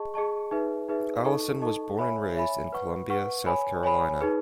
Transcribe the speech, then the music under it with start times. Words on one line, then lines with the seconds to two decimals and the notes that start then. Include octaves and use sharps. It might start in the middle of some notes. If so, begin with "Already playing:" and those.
Allison was born and raised in Columbia, South Carolina.
Already playing: G#4 D#5 A5 C#6
0.14 G#4 D#5 A5 C#6
0.51 D#4 G#4 B4 E5
0.88 D#4 G#4 B4 E5
1.24 D#4 A4 D#5 A5 C#6
1.62 D#4 A4 D#5 A5 C#6
1.99 C#5 E5 G#5 B5
2.35 C#5 E5 G#5 B5
2.72 B4 F#5 C#6
3.10 B4 F#5 C#6
3.46 C#5 G#5 B5
3.83 C#5 G#5 B5
4.21 D#4 G#4 B4